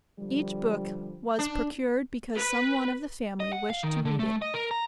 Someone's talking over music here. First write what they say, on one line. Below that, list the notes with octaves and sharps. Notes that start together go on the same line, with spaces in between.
Each book was procured because some one of the family wished to read it.
D3 F3 G3
D4
B4
D#5
F#5
F5
D#3
D3
A3
D#5
A#4
A#5